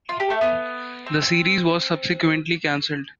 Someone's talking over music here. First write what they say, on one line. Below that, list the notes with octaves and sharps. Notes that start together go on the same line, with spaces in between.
The series was subsequently cancelled.
F4
G4
A3
B3
C4